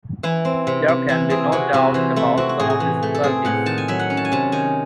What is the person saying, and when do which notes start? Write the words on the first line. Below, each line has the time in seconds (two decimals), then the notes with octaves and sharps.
There can be no doubt about some of his qualities.
0.23 E3 E4
0.45 C4
0.67 C3
0.88 C3
1.09 E3 E4
1.30 C4 G#4
1.52 C3 F#4
1.73 C3 E4
1.94 E3 C5
2.16 A3 E4
2.37 C4 F#4
2.49 F#4
2.60 A2 G#4
2.70 G#4
2.80 E3
3.03 A3
3.15 A4
3.24 C4 G#4
3.45 A2 F#5
3.66 D#3 A5
3.78 G#5
3.88 F#3 E5
3.99 F#5
4.10 C#4
4.17 A5
4.25 G#5
4.32 C3 A5
4.52 D#3 G#5